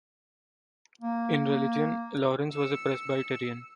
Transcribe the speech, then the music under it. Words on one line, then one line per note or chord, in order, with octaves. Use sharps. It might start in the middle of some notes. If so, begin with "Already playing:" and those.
In religion, Lawrence was a Presbyterian.
A#3
E6 C#7